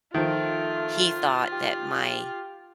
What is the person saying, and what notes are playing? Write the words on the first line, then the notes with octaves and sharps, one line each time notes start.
he thought that my
D#3 F3 A3 F4
G4